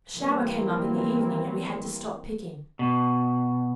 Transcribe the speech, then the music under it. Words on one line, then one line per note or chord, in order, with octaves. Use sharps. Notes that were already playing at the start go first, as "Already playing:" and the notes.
A shower came up in the evening and we had to stop picking.
E3 G3 A#3 C4
B2